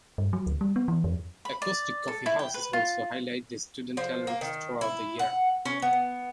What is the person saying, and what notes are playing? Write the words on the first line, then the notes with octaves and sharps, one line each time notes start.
Acoustic coffeehouses also highlight student talent throughout the year.
G2
F#3
D2
G3
B3
E3
F2
B5
D5
A4
E4
G5
B4
F4
F3
A#3
D#3
E4
F#5
C#4
B3